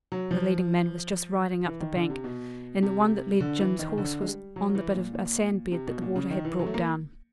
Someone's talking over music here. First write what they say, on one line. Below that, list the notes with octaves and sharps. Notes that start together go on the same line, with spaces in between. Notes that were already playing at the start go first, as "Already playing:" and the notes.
The leading man was just riding up the bank, and the one that led Jim's horse was on the bit of a sand bed that the water had brought down.
F#3
F3
E3
D#3
D3
C3
B2
C3
D3
E3
D#3
D#3
D3
G#3
G3
F#3
E3
A#2
A#2
C3
B2
A#2
C#3
D#3
E3
F#3
A3
A#3